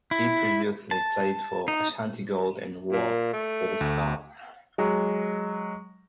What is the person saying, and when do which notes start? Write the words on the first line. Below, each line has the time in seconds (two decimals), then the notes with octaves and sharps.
He previously played for Ashanti Gold and Wa All stars.
0.11 E4
0.91 A5
1.68 D#4
2.92 A#2
3.33 A3
3.81 D2
4.78 F#3 G#3